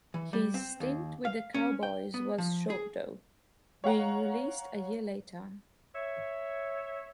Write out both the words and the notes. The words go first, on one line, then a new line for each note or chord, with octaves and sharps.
His stint with the Cowboys was short though, being released a year later.
E3
G3
C4
D#2
F5
C#4
G5
B3
F3
G#4
C#5 F5 F#5 A#5
C#5 E5